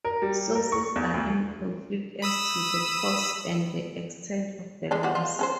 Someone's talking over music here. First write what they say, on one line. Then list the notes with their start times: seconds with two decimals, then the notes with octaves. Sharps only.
Sources are in conflict as to the cause and the extent of the loss.
0.05 A#4
0.22 G3
0.55 A#4
0.72 C#6
0.96 E2
1.14 D2
2.22 B5 D#6 E6
4.91 D3 G#3 D4
5.03 F3 G3 F#4
5.15 F4
5.39 C#4 A4 C5